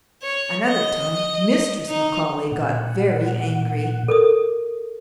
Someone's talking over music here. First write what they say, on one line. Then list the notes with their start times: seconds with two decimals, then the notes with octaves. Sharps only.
Another time Mistress McCaully got very angry.
0.23 C#5
0.67 D#5
1.89 D#4
2.52 A#2 F#5
4.08 A4 A#4 D#6